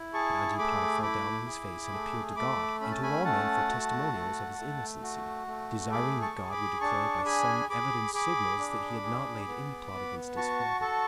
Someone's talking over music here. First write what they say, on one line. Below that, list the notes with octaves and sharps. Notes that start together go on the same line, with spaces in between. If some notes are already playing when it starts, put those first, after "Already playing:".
But Antipater fell down on his face, and appealed to God and to all men for testimonials of his innocency, desiring that God would declare, by some evident signals, that he had not laid any plot against his father.
Already playing: E4
G#4 A5 C#6
A3 B5 D6
E4 B5 D6
G#4
A3
A3 B5 D6
C#4 B5
A5
G#5 B5
A3 F#5 A5
F#4
A3
A3
F#4
A3
G#4 B5 D6
A5 C#6
G#4
B5 D6
D4 A5 C#6
G#4 G#5 B5
G#4 B5 D6
G#4 B5 D6
D4
G#4
B3
B3
F#4 A5 C#6
A4 A5 C#6